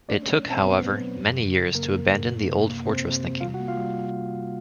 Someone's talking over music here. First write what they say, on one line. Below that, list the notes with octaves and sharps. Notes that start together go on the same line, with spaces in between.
It took, however, many years to abandon the old fortress thinking.
A3 D4 D5
C#4 C#5
F#3
B2 C4 C5
F#3 B3 B4
F#3
F#3
F#2
C#3
C#3
C#3 A#3 A#4
A#3
F#2
A#3
C3
A#3
C3 C4 C5
C3
C3
G3 F4 F5
F#4 F#5
A#3
F4 F5
G3